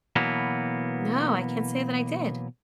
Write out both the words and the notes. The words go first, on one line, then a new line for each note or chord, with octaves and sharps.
No, I can't say that I did.
B2 E3 F#3 A#3 B3